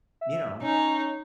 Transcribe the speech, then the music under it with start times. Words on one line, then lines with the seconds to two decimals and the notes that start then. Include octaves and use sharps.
you know,
0.21 E5
0.62 C#4 D#4